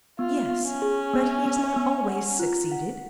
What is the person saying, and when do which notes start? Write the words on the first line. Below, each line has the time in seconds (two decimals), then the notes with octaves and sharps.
"Yes--but he has not always succeeded."
0.19 B3 F4
0.50 B3
0.66 C#4
0.82 G#4
1.14 B3
1.45 B3
1.76 B3
2.08 F#5
2.39 F4
2.72 F#5